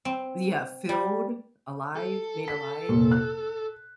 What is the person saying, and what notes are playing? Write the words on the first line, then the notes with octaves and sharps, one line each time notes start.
yeah, filled, alive, made alive
C4
G3
A4
B6
F1 A#2
F#6